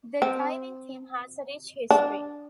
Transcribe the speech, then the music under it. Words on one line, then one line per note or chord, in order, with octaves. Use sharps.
The diving team has a rich history.
C4
D4